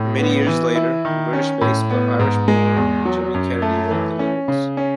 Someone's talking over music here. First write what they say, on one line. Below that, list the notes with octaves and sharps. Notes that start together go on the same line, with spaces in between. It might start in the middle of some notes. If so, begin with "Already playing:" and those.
Many years later British-based, but Irish-born Jimmy Kennedy wrote the lyrics.
Already playing: A2
B3
E3
E4
D#3
C#4
A2
B3
G#2
G#3
E2
F#3
F#2
A3
E3
C#4
C#3
C#4